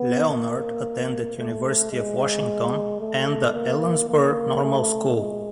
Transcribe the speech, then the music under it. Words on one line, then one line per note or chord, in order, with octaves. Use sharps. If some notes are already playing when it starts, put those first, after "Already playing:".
Leonard attended University of Washington and the Ellensburg Normal School.
Already playing: B3
A#3
A3
G#3
A3
A#3
A#3
A3
G#3